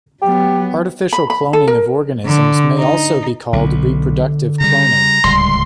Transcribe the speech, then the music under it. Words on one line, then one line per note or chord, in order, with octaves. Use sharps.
Artificial cloning of organisms may also be called "reproductive cloning".
F#3 B3 G4
B5
B5
A4
A#4
D3
D#4
B1 D3
C#3 G3 A#5
D1 C#2 G3 C6